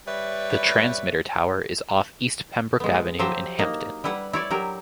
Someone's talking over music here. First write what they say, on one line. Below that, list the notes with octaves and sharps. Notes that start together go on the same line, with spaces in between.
The transmitter tower is off East Pembroke Avenue in Hampton.
G3 B4 C#5 D5 E5
G#3 B3
F3 F#3 F#4 G4 C5 E5
A#3 D#4
G3 E4 B4 F#5
E4 C#5 D5
F#3 G4 A#4